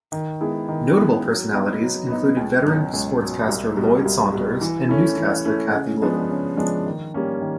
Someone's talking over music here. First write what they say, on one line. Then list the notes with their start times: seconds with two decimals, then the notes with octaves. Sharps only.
Notable personalities included veteran sportscaster Lloyd Saunders and newscaster Cathy Little.
0.12 D#3
0.41 G#3 B3 E4 G#4
0.68 D#3
0.97 G#3 B3 E4 G#4
1.25 F#3
1.53 B3 D#4
1.81 F#3
2.08 B3 D#4
2.37 C#2
2.65 B2 F#3
2.93 C#2
3.21 B2 F#3
3.49 C2
3.77 B2 G3
4.05 C2
4.33 B2 G3
4.61 E3
4.89 A3 C#4 E4
5.17 E3
5.45 A3 C#4 E4
5.74 C#3
6.02 F3 G#3 B3 D4
6.30 C#3
6.57 F3 G#3 B3 D4
6.86 D#3
7.14 G3 A#3 C#4
7.42 D#3